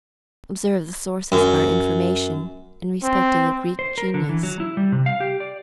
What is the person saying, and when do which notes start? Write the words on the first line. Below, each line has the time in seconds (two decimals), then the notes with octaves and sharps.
Observe the sources of our information in respect to the Greek genius.
1.32 F#2
3.03 C4
3.79 C5
3.98 A#4
4.14 D3
4.29 E3
4.43 F#3
4.60 E4
4.77 G3
4.92 C3
5.06 F5
5.20 G4
5.40 D5